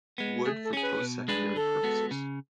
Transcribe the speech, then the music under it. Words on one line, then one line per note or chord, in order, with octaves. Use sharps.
Wood for post-secondary purposes.
G#3 B3
A3 G#4
A4
C#4 G#4
B4
B2
G#3 D4 G#4 B4
D3 A4
G#3 B3 F#4
C#3